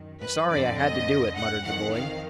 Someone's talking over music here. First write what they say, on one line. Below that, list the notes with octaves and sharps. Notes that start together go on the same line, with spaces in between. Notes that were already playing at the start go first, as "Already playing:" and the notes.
"I'm sorry I had to do it," muttered the boy.
Already playing: F#2 D#3
B4
F2 D3 D5
D#5
F#5
F2 D#3 F#5
F5